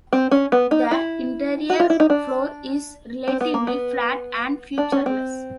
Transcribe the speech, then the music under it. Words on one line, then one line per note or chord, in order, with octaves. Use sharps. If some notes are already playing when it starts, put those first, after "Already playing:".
The interior floor is relatively flat and featureless.
C4
C#4
B3
D#4
E4
F#4
F4
E4
D#4
D4
C4
B3
A#3
B3
D4
C#4
C4